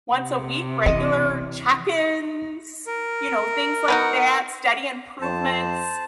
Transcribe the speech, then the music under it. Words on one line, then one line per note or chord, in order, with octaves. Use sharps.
once a week, regular check-ins, you know, things like that, steady improvements,
C3
E3 D#5
A#4
B3 D#4 F#4
F2 C5 A5